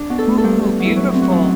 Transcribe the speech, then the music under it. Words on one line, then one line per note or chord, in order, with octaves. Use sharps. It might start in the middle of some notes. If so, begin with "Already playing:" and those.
Ooh, beautiful!
Already playing: D4
B2
A4
A3
A4
G2 G4
G2
F#3
E4
F#3 F#4
C4
F#4
F#2